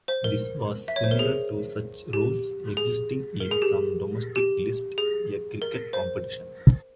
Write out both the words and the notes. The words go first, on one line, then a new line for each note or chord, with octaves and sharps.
This was similar to such rules existing in some domestic List A cricket competitions.
C5
A#4
E5
C#5
C5
A#4
G#4
G4
G#4
A#4
G#4
G4
G4
G#4
A#4
C5